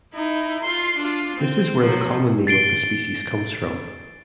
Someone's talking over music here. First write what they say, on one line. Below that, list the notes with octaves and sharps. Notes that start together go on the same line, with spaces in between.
This is where the common name of the species comes from.
D#4 E4
F4 C6
D4 F4
C4
F3 F#3
A6 C7 D7 G7